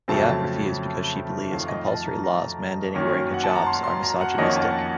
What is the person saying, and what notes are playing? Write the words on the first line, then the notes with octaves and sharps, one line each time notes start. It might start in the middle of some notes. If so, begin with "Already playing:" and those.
Bayat refused because she believes compulsory laws mandating wearing hijabs are misogynistic.
F2 C#3 F#3 A3 C4 A5
F2 D#3 A3 F5
D#5
A5
A#5
A#5
F#2 D#3 A#3 C#4
F#5
A5
A#5
C6
C6
A#5
F#5
F2 D#3 A#3 C#4 D#5
A5
F#5